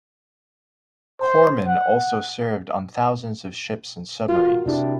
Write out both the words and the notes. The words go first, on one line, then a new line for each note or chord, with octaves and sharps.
Corpsmen also served on thousands of ships and submarines.
C5
F#5
F4 F#4 A#4
C3 D4 E4 G4